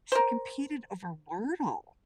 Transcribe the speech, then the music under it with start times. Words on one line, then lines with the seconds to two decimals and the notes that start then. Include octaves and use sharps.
she competed over Wordle,
0.12 A#4 C5